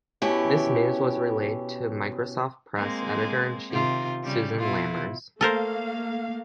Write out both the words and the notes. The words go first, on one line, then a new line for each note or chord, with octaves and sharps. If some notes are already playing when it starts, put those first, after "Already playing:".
This news was relayed to Microsoft Press editor-in-chief "Susan Lammers".
B2 C#4 E4 G4
G#3 A#3 C4
C3 D#3 F4
C#3 G3
B2 E4 F4
A3 A#3 A4 A#4 C5 F5